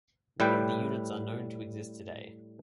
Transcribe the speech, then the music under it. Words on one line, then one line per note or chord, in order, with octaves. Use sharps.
None of the units are known to exist today.
A2 G3 B4 G5